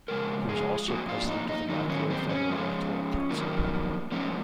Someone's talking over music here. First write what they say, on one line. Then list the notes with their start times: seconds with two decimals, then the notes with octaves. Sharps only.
He was also President of the Mackellar Federal Electoral Council.
0.08 F2 C#3 G#3 A#4
0.49 G#4
0.88 F2 D#3 A#3 F#4
1.09 F4
1.29 D#4
1.49 D#4
1.69 F2 D#3 F#3 D#4
1.90 C#4
2.10 C4
2.29 C#4
2.50 G#2 F3 G#3
3.30 F2 D#3 F#3 A#3
4.12 G#2 F3 A#3 C#4